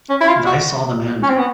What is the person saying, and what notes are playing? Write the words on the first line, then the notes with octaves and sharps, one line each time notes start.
And I saw them end.
C#4
E4
F4
F#4
C#4
C4
B3